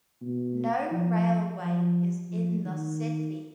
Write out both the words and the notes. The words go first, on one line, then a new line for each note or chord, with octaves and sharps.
No railway is in the city.
B2
F3
F3
F3
D#3